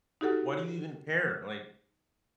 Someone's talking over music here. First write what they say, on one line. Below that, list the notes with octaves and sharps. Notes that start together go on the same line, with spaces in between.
"Why do you even care?" Like,
D#4 F#4 G4 A4 F#5 F6